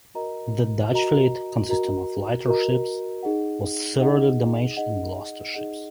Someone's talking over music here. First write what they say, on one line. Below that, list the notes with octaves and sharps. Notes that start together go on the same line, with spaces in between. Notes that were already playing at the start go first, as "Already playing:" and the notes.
The Dutch fleet, consisting of lighter ships, was severely damaged and lost two ships.
F#4 A#4 D#5 A#5
F#4 A#4 D#5 A#5
F#4 A#4 D#5 A#5
F#4 A#4 D#5 A#5
D#4 G#4 D#5 F#5
D#4 G#4 D#5 F#5
D#4 G#4 D#5 F#5
D#4 G#4 D#5 F#5